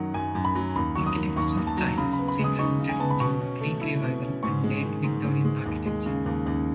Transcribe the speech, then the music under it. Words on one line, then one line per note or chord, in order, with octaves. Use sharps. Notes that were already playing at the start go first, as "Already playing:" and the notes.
Architectural styles represented include Greek Revival and Late Victorian architecture.
Already playing: F#2 D#3 F#3 F#5
F#2 G#5
F#2
B5
F#3
D#2 B5
F#3 C#6
D#6
D#3
D#2 C#6
D#2
A5
F#3
C#3 B5
B5
B3
B5
G#3
D#6
D#4 C#6
C#3
G#5
B3 A5
B5
B2 C#6
C#4
A3
E4
B2
C#4
G#2 C#6
G#3
D#3
G#2
G#2
G#3
D#2
G#3
C#3
D#2
D#2